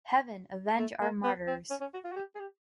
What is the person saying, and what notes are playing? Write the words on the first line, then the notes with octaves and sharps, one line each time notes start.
Heaven avenges our martyrs!
A3
A#3
B3
C4
C#4
C#4
F#4
F4
F#4
G4
G#4
G4